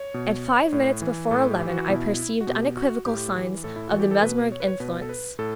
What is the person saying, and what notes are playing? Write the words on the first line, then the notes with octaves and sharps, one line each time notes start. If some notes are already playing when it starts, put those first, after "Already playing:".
At five minutes before eleven I perceived unequivocal signs of the mesmeric influence.
Already playing: C#5
B2
A2
E3
A2 A4
G4
E3
F#4
B2 E4
F#4
B2 G4
F#4
A2 G4
E3
A2 A4
E4
E3 F#4
G4
A4
B2 B4
C#5
B4
C#5
B2 B4
A4
B4
A2 A4